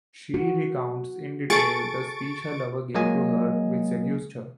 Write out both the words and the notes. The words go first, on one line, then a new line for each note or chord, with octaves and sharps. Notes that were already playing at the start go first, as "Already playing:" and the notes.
She recounts in detail the speech her lover gave to her which seduced her.
F#4
G#4 A4 C#6 A6 D7
F#3 G#3 A#3 D#5 G#5